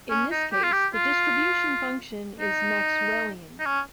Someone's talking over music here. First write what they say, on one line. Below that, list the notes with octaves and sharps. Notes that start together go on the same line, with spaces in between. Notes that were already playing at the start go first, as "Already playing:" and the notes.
In this case, the distribution function is "Maxwellian".
C#4
D#4
G4
F4
G4
F4
D#4
D#4
C#4